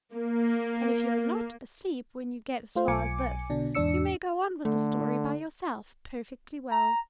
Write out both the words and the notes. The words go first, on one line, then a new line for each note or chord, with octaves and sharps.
And if you are not asleep when you get as far as this, you may go on with the story by yourself, perfectly well.
A#3
A3 F4 C5
B1 G#5 D6 C#7
B2 D3 D4
E2 G#2 D4 D5 E6 C#7
D3 A3
A#5